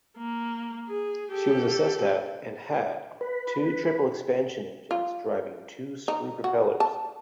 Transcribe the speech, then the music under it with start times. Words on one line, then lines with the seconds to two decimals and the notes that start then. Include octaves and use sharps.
She was assessed at and had two triple expansion engines driving two screw propellers.
0.17 A#3
0.88 G#4
1.32 G4 A4
3.21 B4
4.91 F4
6.08 D#4
6.44 F#4
6.80 A5